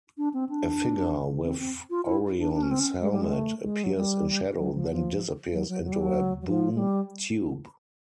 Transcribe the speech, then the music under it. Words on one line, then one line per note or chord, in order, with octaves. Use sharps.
A figure, with Orion's helmet, appears in shadow then disappears into a Boom Tube.
D4
C4
D4
C4
C4
F4
E4
D4
D4
C#4
C4
C#4
G#3
G3
G#3
A3
G#3
F#3
G3
F#3
F3
F3
F#3
F#3
F#3
G3
F#3
F#3
F3
G#3
G3